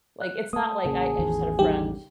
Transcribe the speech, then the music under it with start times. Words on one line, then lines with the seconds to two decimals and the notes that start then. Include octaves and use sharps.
Like, it's not, like I I just had a friend,
0.22 F#6
0.53 A3 A#3 A5 D#6
0.85 A1 C#3 A#3 G#4
1.19 A1 E2 D#3
1.59 G3 D#4 G4